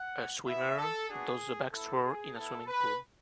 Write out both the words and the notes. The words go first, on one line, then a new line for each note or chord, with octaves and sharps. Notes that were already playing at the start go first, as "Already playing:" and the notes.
A swimmer does the backstroke in a swimming pool.
Already playing: F#5
B3 E4 E5
A4
B3 D4 F#4 G#4
B3 E4 A4
G#4
B3 E4 A4
B4